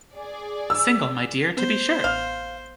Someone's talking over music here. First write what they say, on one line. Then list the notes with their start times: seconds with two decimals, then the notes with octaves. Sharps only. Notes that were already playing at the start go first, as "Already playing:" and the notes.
Single, my dear, to be sure!
0.16 G#4 D5
0.70 E6
1.57 B3 C5
2.04 A1 F5